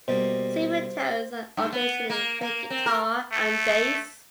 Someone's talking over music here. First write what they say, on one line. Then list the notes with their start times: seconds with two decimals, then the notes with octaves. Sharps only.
Supertones, and occasionally played guitar and bass.
0.08 B2 G3 A#3 C5
1.57 G2
1.73 B3
2.10 A#3
2.41 A#3
2.70 C4
2.86 A#4
3.32 A3